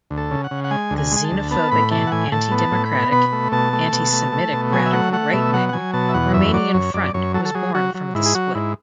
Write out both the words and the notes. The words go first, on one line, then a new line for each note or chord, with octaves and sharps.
The "xenophobic and antidemocratic", "antisemitic radical right-wing", Romanian Front was born from this split.
D2
A4
C#3
F#5
C#3
F#5
G#3 G#5
D2
G#5
G#3
G#5
A5
D2
B3 A5
A2 B5
E3 A5
F#5
A2 G#5
A2 A5
B3
A5
A2
B5
B3
B2 B5
A3
B2 A5
A3
B2
A3
A3
B2
F#3 G#5
E5
A3 F#5
A3 F#5
B2 E5
F#3 F#5
F#5
F#3 G#5
B2 A5
E5
E2 F#5
F#2 E5
F#3 D5
F#2 C#5
F#2 D5
F#2 C#5
F#3 A4
A4
F#3 G#4
F#3 F#4
F#3
G#2 E4
G#4
F#3 F#4
G#2 E4